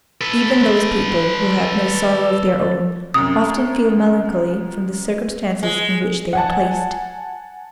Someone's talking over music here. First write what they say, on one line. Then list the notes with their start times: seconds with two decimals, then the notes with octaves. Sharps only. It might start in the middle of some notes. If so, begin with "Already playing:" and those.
Even those people who have no sorrow of their own often feel melancholy from the circumstances in which they are placed.
0.21 A4 B4
3.14 C2 F#2 D#6
5.63 G#3
6.33 F#5 G#5 A5